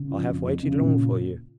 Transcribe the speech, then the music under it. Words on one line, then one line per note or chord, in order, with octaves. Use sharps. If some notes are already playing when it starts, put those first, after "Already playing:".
I have waited long for you.
Already playing: C#3
F3
F2
F2
C#3
A#2